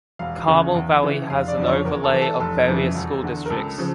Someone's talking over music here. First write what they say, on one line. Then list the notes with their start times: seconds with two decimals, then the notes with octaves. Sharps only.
Carmel Valley has an overlay of various school districts.
0.19 E1 F5
0.47 E2 C#3 E3
0.74 E2
1.02 C#3 E3
1.30 F1 F5
1.48 D5
1.57 F2 D3 F3
1.66 C#5
1.85 E2 A#4
2.04 A4
2.13 E3
2.22 A4
2.40 F1 A4
2.68 F2 C#3 E3
2.95 E1
3.23 E2 D3
3.46 A#4
3.50 C#2 A4
3.78 C#3 F3